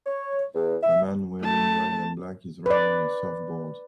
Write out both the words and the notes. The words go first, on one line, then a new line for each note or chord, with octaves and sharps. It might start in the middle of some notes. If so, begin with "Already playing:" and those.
A man wearing red and black is riding a surfboard.
C#5
E2
E5
A3 A5
B4 D5